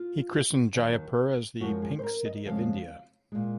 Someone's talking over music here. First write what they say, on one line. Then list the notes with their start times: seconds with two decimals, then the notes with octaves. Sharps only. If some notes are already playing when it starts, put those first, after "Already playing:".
He christened Jaipur as 'the Pink City of India'.
Already playing: F4
0.75 D#2 D#3 F#3
1.60 F#2 F3 G#3 F#4
1.82 G#4
1.99 C5
2.03 A#4
2.25 D#5
2.46 F2 C#3 G#3 F5
3.32 A#2 G#3